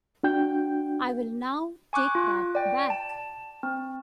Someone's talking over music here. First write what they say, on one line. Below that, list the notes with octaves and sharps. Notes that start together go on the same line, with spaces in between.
I will now take that back.
D4 F#4 G5 G6
G#5 C#6 D6 F#6
F4
D5 G5
A5
C4